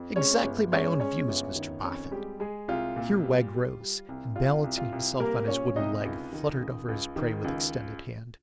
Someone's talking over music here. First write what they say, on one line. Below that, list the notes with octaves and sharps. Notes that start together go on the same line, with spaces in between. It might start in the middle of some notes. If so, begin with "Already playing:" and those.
Exactly my own views, Mr Boffin.' Here Wegg rose, and balancing himself on his wooden leg, fluttered over his prey with extended hand.
Already playing: F2
G#3 C#4 C#5
G1
G#3 C#4 C#5
G#3 C#4 C#5
G1
D#3
F2 C#4 C#5
G3 G#3 G4
G#3 G#4
C2 F4
A#2
G3
G3
G3
C2
C2 F4
C2
F4
C2
G3 A#3 A#4
A#2 C#4 C#5
C2 D#4 D#5
C#2
D#3
C#2
C#2
D#3
C#2